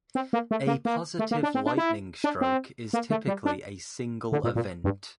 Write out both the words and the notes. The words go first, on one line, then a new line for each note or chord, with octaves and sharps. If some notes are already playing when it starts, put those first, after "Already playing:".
A positive lightning stroke is typically a single event.
C4
A#3
A3
A#3
A#3
A3
A#3
D4
C4
D4
E4
D4
C4
A#3
A3
G3
D4
D3
A#2
A#2
G2